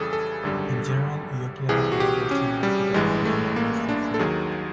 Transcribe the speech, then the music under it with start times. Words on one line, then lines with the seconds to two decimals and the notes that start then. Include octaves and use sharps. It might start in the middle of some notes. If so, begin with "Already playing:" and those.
In general, lochia has an odor similar to that of normal menstrual fluid.
Already playing: F2 C#3 E3 G3 G#4 A4
0.13 A4
0.43 G#1 F#2 D3 G3
1.69 C2 C3 E3 G#4
1.92 F#4
2.00 G4
2.31 C#4
2.63 G3
2.94 A1 G2 E3 G#3
3.25 A3
3.56 A#3
3.89 D4
4.14 A4
4.19 D#2 D#3 F#3 G#4